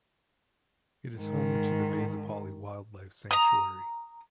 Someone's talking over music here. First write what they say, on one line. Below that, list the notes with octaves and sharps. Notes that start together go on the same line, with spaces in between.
It is home to the Baisipali Wildlife Sanctuary.
G#2 D#3
A#5 D#6